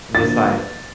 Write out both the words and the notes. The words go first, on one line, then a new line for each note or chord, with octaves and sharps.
and just, like,
D3 F3 A#3 A6